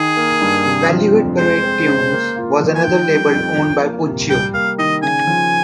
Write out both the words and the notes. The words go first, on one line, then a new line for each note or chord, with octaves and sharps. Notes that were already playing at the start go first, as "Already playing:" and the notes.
Value Hit Parade Tunes was another label owned by Puccio.
Already playing: D#3 G#4
A#3
G2
C3
F3
F2
G#3 C5
C4
C#3
A#3
F4
F3
G#5
D#3 G5
G3
F2
F3
A#3
C3
G3 G5
A#3 F5
D#3 D#5
C#3 G#5
F3